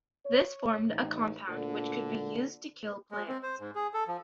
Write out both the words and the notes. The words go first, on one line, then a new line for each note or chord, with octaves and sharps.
This formed a compound which could be used to kill plants.
C#5
A1 D#4
D2 A#2 D3
G#3
C4
C5
G#2
G#4
A4
F3